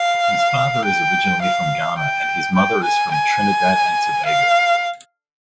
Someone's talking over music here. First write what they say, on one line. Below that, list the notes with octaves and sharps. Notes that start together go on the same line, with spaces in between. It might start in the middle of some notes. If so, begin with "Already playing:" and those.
His father is originally from Ghana and his mother is from Trinidad and Tobago.
Already playing: F5
G5
F5
G5
G5
G#5
G#5
F5